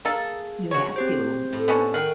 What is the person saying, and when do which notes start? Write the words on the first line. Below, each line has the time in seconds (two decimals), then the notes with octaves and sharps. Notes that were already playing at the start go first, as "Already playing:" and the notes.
You have to.
0.05 A#3 G#4 A4
0.71 F#4 C#5
0.96 C4 G4 C5
1.53 A2 A3
1.68 B3 C#4 D4
1.94 D#3 A#4 F#5 G5